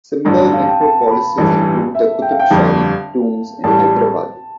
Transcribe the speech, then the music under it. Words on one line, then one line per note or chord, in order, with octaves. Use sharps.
Similar necropolises include the Qutb Shahi tombs in Hyderabad.
A1 G2 D3 A5
A5
F5
A5
G5
A5
B5
A1 G2 E3 G3 A5
E5
G5
F5
G5
G1 F2 D3 G3 A5
A1 A2 G3 A5